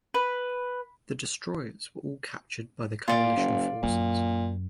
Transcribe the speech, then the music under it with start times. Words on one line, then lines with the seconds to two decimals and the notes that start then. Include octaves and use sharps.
The destroyers were all captured by the coalition forces.
0.14 B4
3.08 A#2 F4 D5
3.37 F#1
3.83 F#2 A#2